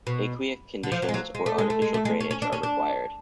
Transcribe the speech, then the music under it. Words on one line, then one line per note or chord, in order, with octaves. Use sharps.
Aquic conditions or artificial drainage are required.
B2
D3
F3
F#3
G#3
F#3
G#3
A3
G#3
A3
G#3
A3
G#3
C#4
C#4
D4
C#4
D4